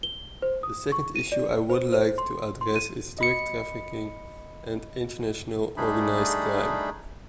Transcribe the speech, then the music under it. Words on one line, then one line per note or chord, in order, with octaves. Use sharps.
The second issue I would like to address is drug trafficking and international organized crime.
G7
C5
D#6
C#6
D#7
D5
C5
C5
C6
C6
D#7
D#5 B5 C#7
G3 A3 D4 D#4 G#4 B5